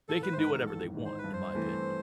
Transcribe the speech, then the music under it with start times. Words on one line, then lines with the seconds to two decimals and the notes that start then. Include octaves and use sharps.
They can do whatever they want, in my opinion,
0.08 A1 A4
0.23 B4
0.33 C5
0.37 G#2 D#3 B4
0.52 A#4
0.66 A1 A4
0.95 G#2 D#3
1.05 C5
1.18 B4
1.24 G2
1.33 C5
1.53 E3 A3 C4